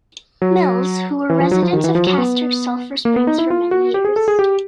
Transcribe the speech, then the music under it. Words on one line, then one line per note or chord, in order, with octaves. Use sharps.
Mills, who were residents of Castor Sulfur Springs for many years.
F#3
E3
F3
F#3
F3
D#3
E3
F3
F#3
B3
A#3
B3
D#4
E4
F4
F#4
G4
G#4
A4
G#4
G4